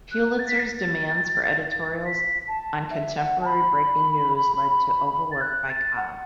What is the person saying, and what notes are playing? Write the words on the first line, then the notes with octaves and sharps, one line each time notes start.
Pulitzer's demands for editorials on contemporary breaking news led to overwork by Cobb.
F#6
A6
B6
A6
B6
A5
E5
F#5
A5
B5
A6
F#6
A6
F#5